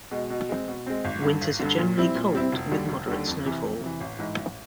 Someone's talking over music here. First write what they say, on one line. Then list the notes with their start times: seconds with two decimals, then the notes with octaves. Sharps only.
Winters are generally cold with moderate snowfall.
0.11 B2 G#3
0.30 B2
0.49 G#3 C4
0.68 B2
0.86 G#3 C4
1.05 G#1
1.22 G2 D3
1.42 G#1
1.59 G2 D3
1.78 A#2
1.97 G3 C4 E4
2.15 A#2
2.33 G3 C4 E4
2.52 F1
2.71 D#2 D3 G3
2.89 F1
3.08 D#2 D3 G3
3.27 F2
3.45 C3 E3
3.63 F2
3.81 C3 E3
4.00 A1
4.19 G#2 E3
4.37 A1